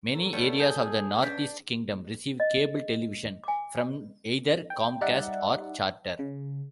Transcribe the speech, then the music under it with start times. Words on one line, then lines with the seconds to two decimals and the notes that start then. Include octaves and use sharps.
Many areas of the Northeast Kingdom receive cable television from either Comcast or Charter.
0.14 F#3 A4 A#4
0.33 G3 A3 B3 C#5 D5 C#7
0.59 G#4 A5 G6 G#6
1.23 C#4 D4 B4 G6 B6
2.40 D#5
3.44 G#5 D6
4.70 G5
5.01 G3 D#4 D5 E5 F#5
6.19 C#3